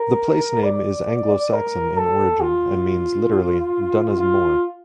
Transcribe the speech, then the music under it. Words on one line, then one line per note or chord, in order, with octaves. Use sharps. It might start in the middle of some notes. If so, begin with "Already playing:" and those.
The place name is Anglo Saxon in origin, and means literally "Dunna's moor".
Already playing: A#4
D5
A#4
A4
F4
F4